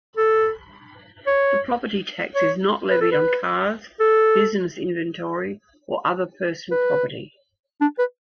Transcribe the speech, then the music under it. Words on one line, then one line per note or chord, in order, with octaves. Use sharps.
The property tax is not levied on cars, business inventory, or other personal property.
A4
C#5
C#5
B4
A4
B4
A4
B4
D4
B4